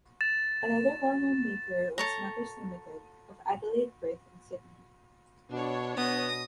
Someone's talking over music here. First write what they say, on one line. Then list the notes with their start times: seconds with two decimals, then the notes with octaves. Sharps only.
Another well-known maker was Metters Limited of Adelaide, Perth and Sydney.
0.21 A6 E7
1.98 A4 C#5 A#5
5.51 B2 D4 C#5
5.98 B2 B3 D#6 A#6